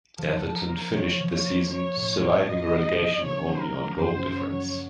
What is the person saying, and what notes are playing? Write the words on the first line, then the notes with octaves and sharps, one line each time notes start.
Everton finished the season surviving relegation only on goal difference.
F3 A4
F3
A#4
A#3
F3 C#5
F3
C#5
A#3
A#3 C#5
A2
A#3
A#3 D#5
A#3
F3
C#3 C#5
F#3
A#4
A#3
F#2 C5
A#3
C#5
F#3